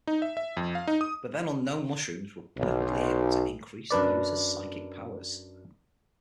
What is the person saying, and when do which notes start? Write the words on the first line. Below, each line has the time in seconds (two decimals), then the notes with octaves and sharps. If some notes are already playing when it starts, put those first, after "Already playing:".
The then-unknown mushrooms were purportedly able to increase the user's psychic powers.
0.07 D#4
0.22 E5
0.37 E5
0.57 F2
0.75 F5
0.87 D#4
1.01 D#6
2.57 B1
3.91 F#2 D4 B4 D5